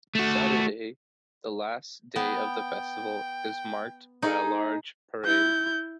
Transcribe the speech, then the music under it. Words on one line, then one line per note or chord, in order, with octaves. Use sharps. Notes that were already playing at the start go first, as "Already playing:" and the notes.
Saturday, the last day of the festival, is marked by a large parade.
A3 F#4
B3 G5
D#4 G#4 A4
E4 G6